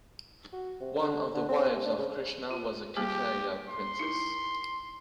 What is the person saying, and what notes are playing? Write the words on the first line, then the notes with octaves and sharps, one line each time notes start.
One of the wives of Krishna was a Kekaya princess.
F#4
C3
D3
D3
C4
C3
D4
C#3
F4
G3 A#3 G4 G#4
C6
D#4 E4 A#4